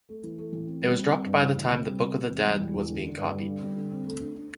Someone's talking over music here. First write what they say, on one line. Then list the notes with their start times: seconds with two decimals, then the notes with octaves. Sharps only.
It was dropped by the time the Book of the Dead was being copied.
0.09 A3
0.23 E3
0.38 A3
0.53 A1
0.67 C4
0.82 G3
0.97 C4
1.12 G3
1.26 G2
1.41 E3
1.56 D2
1.71 C3
1.85 G3
1.99 C3
2.14 C3
2.30 E1
2.45 G3
2.60 E1
2.74 E2
2.89 D3
3.03 D3
3.17 G2
3.33 G3
3.48 D3
3.62 G3
3.76 D3
3.91 C4
4.06 A3
4.21 D4
4.35 D4